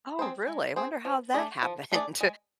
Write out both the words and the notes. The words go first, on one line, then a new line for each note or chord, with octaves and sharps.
Oh, really? Wonder how that happened.
C4 G#4 C5
G#3
C4 G#4 C5
F3
A3 D4 G#4 D5
F3
A3 D4 G#4 D5
G#3